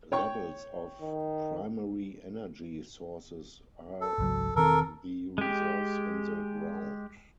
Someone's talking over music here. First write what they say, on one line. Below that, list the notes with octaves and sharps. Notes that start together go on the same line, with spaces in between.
Levels of primary energy sources are the reserves in the ground.
C#5 G5 C#6
D#3
A4
G#1 C#2 F#3
E1 D#3 C4 A4 A#4
G#3 G4